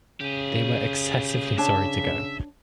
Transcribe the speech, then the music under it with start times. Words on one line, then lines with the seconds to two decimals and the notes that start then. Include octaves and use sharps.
They were excessively sorry to go!
0.21 C#3 G4 G#4
1.58 D4 C#5 E5 A5